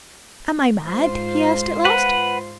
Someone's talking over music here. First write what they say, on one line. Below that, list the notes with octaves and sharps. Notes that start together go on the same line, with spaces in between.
"Am I mad?" he asked at last.
G#2 F4 C5
B4 F#5